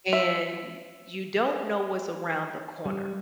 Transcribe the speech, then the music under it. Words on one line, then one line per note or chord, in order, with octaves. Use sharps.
and you don't know what's around the corner,
E5
G3